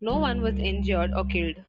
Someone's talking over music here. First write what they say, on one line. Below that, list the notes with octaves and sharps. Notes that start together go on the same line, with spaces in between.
No one was injured or killed.
C#2 G3